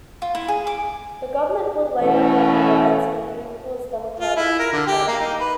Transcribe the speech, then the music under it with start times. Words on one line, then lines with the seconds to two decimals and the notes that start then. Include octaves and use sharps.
The Government would later blame the riots on the People's Democratic Party.
0.22 F4
0.35 E4
0.48 G#4
0.67 D6
2.00 B2 E3 A3 C#4
4.20 F4
4.36 E4
4.59 A#4
4.72 D3
4.87 G4
5.08 A#3
5.21 D#4
5.39 B4